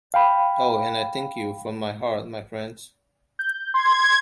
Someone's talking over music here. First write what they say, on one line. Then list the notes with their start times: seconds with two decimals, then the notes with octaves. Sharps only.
Oh, and I thank you from my heart, my friends.
0.14 F5 G5 B5
3.39 G6
3.74 C6 G#6